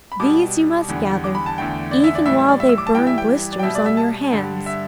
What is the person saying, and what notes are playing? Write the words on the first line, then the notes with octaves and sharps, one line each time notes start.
These you must gather even while they burn blisters on your hands.
B5
B2 G3 D6
E2 D3 G3
D6
B5
A5
E2 D3 A3 G5
D5
E5
D5
A2 E3 G3 E5
E5
D5
E5
E6
D6
A5
G2 E3 G3 G5
E5
G5
D5
G5
B2 G3 E5
D5
E5
A5
G2 D3 G3
E5